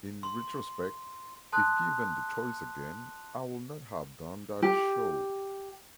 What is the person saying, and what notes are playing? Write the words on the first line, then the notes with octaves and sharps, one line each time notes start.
In retrospect, if given the choice again, I would not have done that show.
C6
A5 C6 D#6 F#6
G4